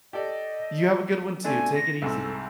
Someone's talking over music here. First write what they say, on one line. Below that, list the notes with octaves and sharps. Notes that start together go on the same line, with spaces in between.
You have a good one too, take it easy.
G4 A4 D5 D#5
A3 C4 D4 G#5
A#6
C2 G#2 C4 A4